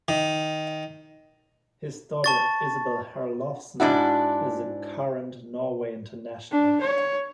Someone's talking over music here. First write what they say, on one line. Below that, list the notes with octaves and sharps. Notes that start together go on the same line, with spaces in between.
His daughter Isabell Herlovsen is a current Norway international.
D#3
A5 C#6 A6
G#2 C#3 D4 E4 F#4
D4
C#5